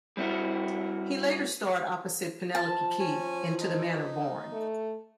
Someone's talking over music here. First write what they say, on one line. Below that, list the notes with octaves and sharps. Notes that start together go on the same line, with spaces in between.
He later starred opposite Penelope Keith in "To the Manor Born".
G3 C4 E4 F#4 A#4
F3 A5
C#4 G#5
D#4
A3